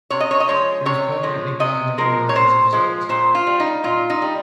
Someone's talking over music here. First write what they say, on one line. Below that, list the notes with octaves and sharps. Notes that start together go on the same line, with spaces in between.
He was permanently blind in one eye as a result.
C3 C#5
D#5
C#5
D#5
F3 G#3 C#5
C3 C#5
F3 G#3
C3 D#5
F3 G#3 A#4
C#5
C3 C5
F3 G#3
A#2 C5
F4
G3
D#4
A#2 F4
D#4
G3